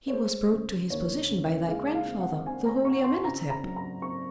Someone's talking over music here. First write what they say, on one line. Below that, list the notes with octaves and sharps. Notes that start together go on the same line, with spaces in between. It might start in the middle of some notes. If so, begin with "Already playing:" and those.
"He was brought to his position by thy grandfather, the holy Amenhotep."
C#5
G#3 C5
C#3
D#2 C#5
C#3
G#3 F5
F5
C4
F#5
C4 G#5
A#5
C4 C#6
C6
C#3 A#5
A#5
F#3
A#5
C4 C#6